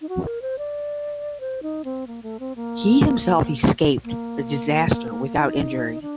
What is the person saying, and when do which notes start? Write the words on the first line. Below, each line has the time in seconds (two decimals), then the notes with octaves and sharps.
He himself escaped the disaster without injury.
0.01 D#4
0.09 F#4
0.25 A#4
0.42 C5
0.58 D5
1.40 C5
1.63 D#4
1.85 C4
2.07 A#3
2.23 A3
2.40 C4
2.56 A#3
4.04 A#3
5.36 D#4
6.02 D4